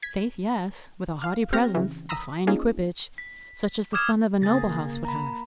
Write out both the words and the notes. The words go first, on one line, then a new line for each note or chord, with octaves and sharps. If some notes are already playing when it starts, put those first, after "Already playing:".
"Faith, yes, with a haughty presence, a fine equipage; such as the son of a noble house would have."
G#6 B6
F5 F6
C4 G4 G5 F6 A#6
C#3 E3
A#5 B5 D#6 E6 B6
A#3 C#4 D#4 F4 G#4
B6
D6 D#6 F6 G#6 E7
C#3 A#3 G#4 A6 A#6
F#5 A#5 B5